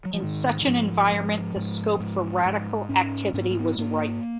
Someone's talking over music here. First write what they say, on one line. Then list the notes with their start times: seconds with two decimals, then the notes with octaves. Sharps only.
In such an environment the scope for radical activity was ripe.
0.05 F#3
0.14 F3
0.22 G#2 D#3
0.62 D#3
0.67 G#2 F3
1.12 G#2
1.56 G#2
2.00 G#2
2.45 G#2
2.89 G#2 C#4
3.34 G#2 C#4
3.42 B3
3.50 A#3
3.59 B3
3.78 G#2 A#3